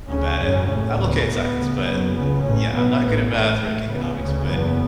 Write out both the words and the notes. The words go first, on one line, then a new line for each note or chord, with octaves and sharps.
I'm bad at I'm okay at Science, but y yeah, I'm not good at Math or Eco Economics, but
D2 C#3 C#4
G#1 F#2 C#3
A1 A2 C#4
D2 C#3 B3
C#2 B2 B3
D2 C#3
F#1 F#2 C#3 B3
C#2 C#3 B3
A1 A2 C#4
B1 B2 B3
A1 A2 B3
A1 A2 A3
A1 G#2 A3
C#2 C#3 B3
D2 C#3 C#4
F#1 E2 C#3 B3